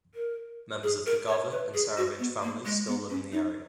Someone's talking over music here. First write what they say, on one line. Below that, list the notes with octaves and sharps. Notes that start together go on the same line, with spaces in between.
Members of the Gava and Serovich families still live in the area.
A#4
G#4
A#4
C#5
B4
G#4
F#4
B3
A#3
G#3
B3
C#4
D#4